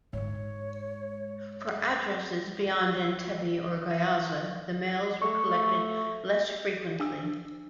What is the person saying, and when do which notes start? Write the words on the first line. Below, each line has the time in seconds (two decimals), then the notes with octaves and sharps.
For addresses beyond Entebbe or Gayaza the mails were collected less frequently.
0.13 G#2 G#3 C#5
5.22 A3 C#6
7.00 D4 E6